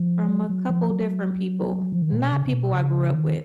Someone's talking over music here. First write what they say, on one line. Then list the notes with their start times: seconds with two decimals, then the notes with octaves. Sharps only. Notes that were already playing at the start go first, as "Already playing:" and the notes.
from a couple different people, not people I grew up with.
Already playing: F3
0.29 F#3
0.49 F#3
0.70 F3
0.90 F#3
1.92 F3
2.02 D#3
2.12 A#2
2.23 B2
2.33 C#3
2.46 C#3
2.53 B2
2.74 C#3
3.14 D#3